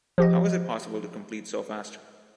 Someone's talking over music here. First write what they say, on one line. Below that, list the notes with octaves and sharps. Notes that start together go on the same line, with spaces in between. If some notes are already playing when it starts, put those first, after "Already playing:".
How is it possible to complete so fast?
F3 G4 D#5